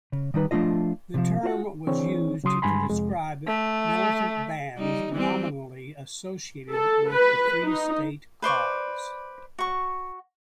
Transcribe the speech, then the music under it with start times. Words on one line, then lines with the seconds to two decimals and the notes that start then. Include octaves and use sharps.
The term was used to describe militant bands nominally associated with the free-state cause.
0.12 C#3
0.34 D#3 G3 D#4 B4
0.51 F3 A3 D4 F4 D#5
1.14 C3 D#3 F3
1.43 F4 F#4 C5 F#5
1.87 E3 C4 D4 G#4 C#5
2.44 C#3 F#3 C6 D#6
2.62 G2 G#3 G#5 B5 C6
2.89 F2 C3 G#3 G#4
3.47 A3
4.77 G3 D#4
5.13 E3 G3 C4
6.71 A4
7.11 B4
7.63 D#4
8.42 B4 C5 D5 C#6
9.59 F#4 C#6